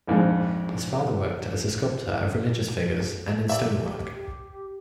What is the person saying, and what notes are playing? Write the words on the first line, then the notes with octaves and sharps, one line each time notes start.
His father worked as a sculptor of religious figures, and in stone work.
A#1 F2 G#2
G4 D5 E5